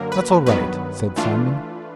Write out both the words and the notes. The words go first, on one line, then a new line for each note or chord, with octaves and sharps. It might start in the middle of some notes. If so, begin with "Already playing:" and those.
'That's all right,' said Simon.
Already playing: F#2 D3 F#3 A#3 A#4
B4
G2 D#3 F#3 B3 B4
E3 A3 D4 F4